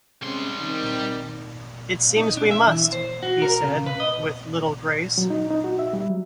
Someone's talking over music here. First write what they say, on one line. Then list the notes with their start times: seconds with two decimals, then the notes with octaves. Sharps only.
"It seems we 'must,'" he said, with little grace.
0.23 G3 G#3 C4 C#4 C6
0.59 D#3 C4
2.16 D#4
2.37 D4
2.51 E5
2.67 E3
2.93 C5
3.23 F#4
3.42 A#4
3.63 C#3
3.86 B4
4.00 D#5
5.18 F#3
5.30 D#4
5.51 D#4
5.64 F#4
5.79 E5
5.93 G3
6.09 F#3